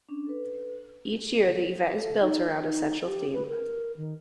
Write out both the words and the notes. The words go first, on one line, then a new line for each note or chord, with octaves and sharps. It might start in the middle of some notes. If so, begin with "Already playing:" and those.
Each year the event is built around a central theme.
C#4 D4
A4 B4
A4
D#4
D#4
G4
B4
A#4
D#3